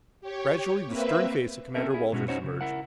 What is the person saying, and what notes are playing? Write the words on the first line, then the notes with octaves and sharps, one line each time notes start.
Gradually the stern face of Commander Walters emerged.
G4 C#5
A#3 C4 B4 E5
C4 C#4 A4 A#4 E5
E4 G#4
B2 G#3 C#4 E4 F#4
C#4 D#4 F#4 C5 C#5
C#3
E4 A#4 F#5